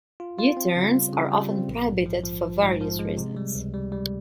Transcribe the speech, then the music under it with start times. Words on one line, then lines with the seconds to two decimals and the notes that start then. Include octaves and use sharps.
U-turns are often prohibited for various reasons.
0.20 F4
0.39 F4
0.57 C4
0.76 C#3
0.94 G3
1.13 C#3
1.32 G3
1.50 C4
1.69 A#1
1.88 G#2
2.06 F3
2.24 F3
2.43 F3
2.62 G#2
2.81 F3
2.99 G#3
3.17 C3
3.37 G3
3.55 C#2
3.74 G3
3.92 G3